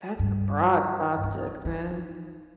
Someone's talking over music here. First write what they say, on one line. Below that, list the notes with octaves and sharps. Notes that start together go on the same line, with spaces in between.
That's a broad subject, man.
G2
D#4
D#4